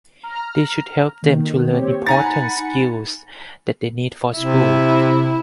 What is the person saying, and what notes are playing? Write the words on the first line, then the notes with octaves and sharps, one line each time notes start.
This should help them to learn important skills that they need for school.
A#5 F6
D#3 A#3
C4 G4 C#5
D#4 F#5 G#5 A#5 B5 A6 C#7
C3 E4